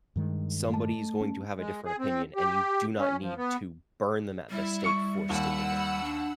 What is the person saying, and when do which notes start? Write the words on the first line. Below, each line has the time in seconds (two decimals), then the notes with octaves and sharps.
somebody's going to have a different opinion, and you do not need to burn them at the stake for stating it.
0.16 G2 D#3 G#3
0.70 A3 A5
1.21 C#4
1.58 G#3
1.85 G#4
1.99 C4
2.36 G4
2.98 C#4
3.21 F3
3.37 B3
4.50 G3 E4 E5
4.84 C#6 C#7
5.29 D#2 F#5 B5 E6
6.03 D4